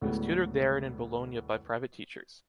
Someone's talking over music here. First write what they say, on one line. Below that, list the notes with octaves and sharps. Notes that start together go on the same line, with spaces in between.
He was tutored there and in Bologna by private teachers.
D2 A2 D3 F#3 G#3 B3